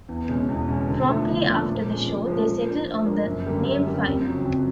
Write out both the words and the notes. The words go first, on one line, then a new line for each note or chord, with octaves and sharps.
Promptly after the show they settled on the name Final.
E2
B2 G#3 C#4
E2
B2 G#3 C#4
D3
F3 A3 D4
D3
F3 A3 D4
A#2
F3 G#3 C#4
A#2
F3 G#3 C#4
F3
A#3 D4
F3
A#3 D4
F#2
D3 G3 A#3 C#4
F#2
D3 G3 A#3 C#4
F2
C#3 F#3
F2